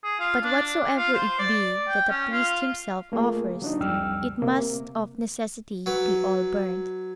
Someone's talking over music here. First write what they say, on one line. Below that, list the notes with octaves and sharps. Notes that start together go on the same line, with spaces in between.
But whatsoever it be that a priest himself offers, it must of necessity be all burnt.
G#4
F4
D4
F4
C5
D5
G5
C#4
F4
A3 A#3 F4 G#4 A#4
F#3 D4 D#4
C2 F2 G3 G5 E6 F6
C3 A#3
F#3 B4